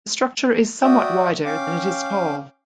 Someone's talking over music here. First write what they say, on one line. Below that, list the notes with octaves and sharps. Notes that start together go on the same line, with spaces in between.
The structure is somewhat wider than it is tall.
F#4 D5 E5 G5 D#6
C#4 F5 G5 D6